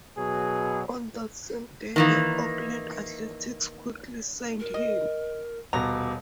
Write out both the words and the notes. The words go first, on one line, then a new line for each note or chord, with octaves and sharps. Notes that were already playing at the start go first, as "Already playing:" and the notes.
On that same day, the Oakland Athletics quickly signed him.
B2 F#3 G#4
D#3 E3 A#3
A#4
D#5
D#1 B2 A#5 D6